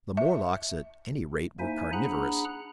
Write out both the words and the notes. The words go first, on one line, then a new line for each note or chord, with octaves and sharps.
The Morlocks at any rate were carnivorous!
E5
A#3 D#4 E4 C5 E5 G#5
D4 G#4 F#5 A#5 B5 F#6